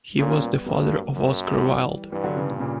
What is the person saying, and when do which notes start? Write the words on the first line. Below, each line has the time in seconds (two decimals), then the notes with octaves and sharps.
He was the father of Oscar Wilde.
0.18 A#2 A#3 C#4
0.43 G3 B3
0.66 G2 F#3 A#3
1.15 F#2
1.57 F#3
1.64 E3 G3
2.12 G2 E3 G3
2.24 D3 F#3
2.36 C#3 E3
2.49 A#2
2.60 A#2 C#3